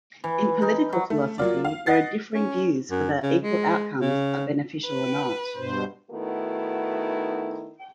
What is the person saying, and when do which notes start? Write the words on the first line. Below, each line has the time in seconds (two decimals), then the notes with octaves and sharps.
In political philosophy, there are differing views whether equal outcomes are beneficial or not.
0.24 E3
0.62 D#4
0.93 F#3
1.10 A3
1.38 F#3 A#3 F4 D5
1.65 F5
1.86 D#5 F#5 A6 C7
2.34 C#4
2.91 F#2
3.23 C#3
3.42 G#3
4.01 C#3
4.86 B4
5.56 G2 B2 C5
6.11 D#3 A3 B3 D#4 E4 F#4